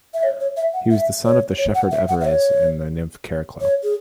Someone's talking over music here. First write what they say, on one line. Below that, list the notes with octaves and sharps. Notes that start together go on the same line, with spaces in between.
He was the son of the shepherd Everes and the nymph Chariclo.
E5
C#5
C#5
E5
F#5
E5
C#5
C#5
F#5
E5
F#5
E5
C#5
C#5
G#4